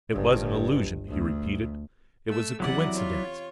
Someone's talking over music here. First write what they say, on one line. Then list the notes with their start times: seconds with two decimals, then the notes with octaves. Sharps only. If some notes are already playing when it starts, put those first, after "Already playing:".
It was an illusion, he repeated; it was a coincidence.
0.12 G1 G2
1.08 D2
2.29 A3 E6
2.60 E2 C3 F#3 E4 D5 F#5
2.94 F4 C#5